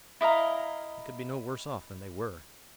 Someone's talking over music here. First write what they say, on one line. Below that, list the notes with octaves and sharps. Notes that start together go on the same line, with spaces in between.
They could be no worse off than they were.
E4 D#5 F5 A#5